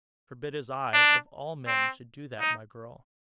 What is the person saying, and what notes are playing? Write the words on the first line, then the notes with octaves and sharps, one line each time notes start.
Forbid as I, of all men, should do that, my girl!
D4
C4
D#4